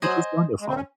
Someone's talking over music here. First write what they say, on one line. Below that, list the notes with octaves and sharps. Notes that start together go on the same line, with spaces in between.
which was wonderful.
F#3 C5 D#5 G#5
G#3
C4
C#4